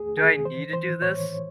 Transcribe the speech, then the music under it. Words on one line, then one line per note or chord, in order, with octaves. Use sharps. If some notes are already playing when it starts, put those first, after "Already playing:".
do I need to do this?
Already playing: D#2 A3 G#4
D#3 G#4
E3 C5
E3 C5
A2 C#5